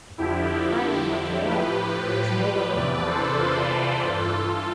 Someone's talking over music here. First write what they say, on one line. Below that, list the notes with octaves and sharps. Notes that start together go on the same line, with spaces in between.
Prior to Montreal, there was no government funding, however.
F2 D3 F3 E4 G4
A2 F3 G4 B4
E2 C3 E3 B4 D5
A4 C5
F4 A4
G2 E3